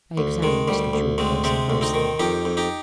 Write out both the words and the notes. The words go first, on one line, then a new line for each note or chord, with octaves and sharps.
I examined the jewel-case closely.
D2
D#3 G#3
D2 G3
D2
D2 G#3 C4
C3 G#3 C4
D2
C4 D#4
D#3
F2 D#4 G4
F2
D#4 G4